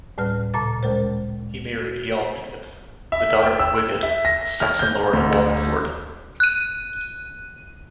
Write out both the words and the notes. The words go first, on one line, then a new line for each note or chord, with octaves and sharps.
He married Ealdgyth, the daughter of Wigod, the Saxon lord of Wallingford.
D2 A2 G3 B4 F6
A#2 C#3 A5 D6 A6
D2 G#3 A#4 C5
F#4
E5
G5
E6
E5
A#6
F6
G6
D2
F#6 D#7